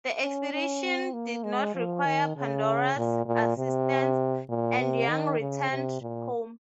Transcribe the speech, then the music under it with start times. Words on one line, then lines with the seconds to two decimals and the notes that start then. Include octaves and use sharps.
The expedition did not require "Pandora's" assistance, and Young returned home.
0.22 C#4
0.52 C#4
0.83 C4
1.13 A#3
1.44 G#3
1.75 F3
2.05 D#3
2.36 C#3
2.97 A#2
3.26 A#2
3.58 C3
4.49 A#2
4.80 C3
5.09 D#3
5.40 C#3
5.70 C3
6.01 A#2